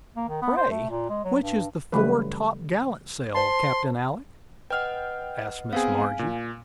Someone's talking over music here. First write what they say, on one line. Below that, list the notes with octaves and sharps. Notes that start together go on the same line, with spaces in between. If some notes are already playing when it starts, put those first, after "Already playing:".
"Pray, which is the fore top-gallant sail, Captain Alick?" asked Miss Margie.
A#3
D#3
B3
C5
A3
A#2
G#3
F#3
G2
C#3 E3 F#3 G3 A3 B4
C5 A5 C6
B4 D#5 F#5 G5 F6
B3 C4 G#4 F5 G#5
A#2